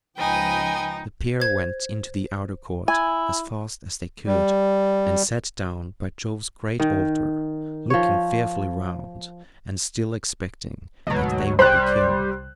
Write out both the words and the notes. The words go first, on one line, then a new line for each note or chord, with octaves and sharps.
The pair went into the outer court as fast as they could, and sat down by Jove's great altar, looking fearfully round, and still expecting that they would be killed.
C#2 F3 D#4 B4 D#5 G5 G#5
C5 G#6
E4 G#5
G3
D#3
F3 C#5
D2 G#2 B2 F#3
C2 G3 C5 F#6